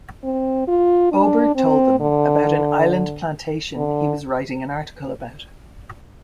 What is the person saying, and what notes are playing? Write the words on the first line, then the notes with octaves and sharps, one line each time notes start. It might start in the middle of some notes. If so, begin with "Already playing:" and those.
Ober told them about an island plantation he was writing an article about.
C4
F4
D4
C4
D3
D3